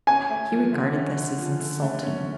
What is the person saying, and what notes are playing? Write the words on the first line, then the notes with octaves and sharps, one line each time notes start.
He regarded this as insulting.
C#4 G#5
A3
F3
D3
C#4
D3
F3
D3
A3
C#4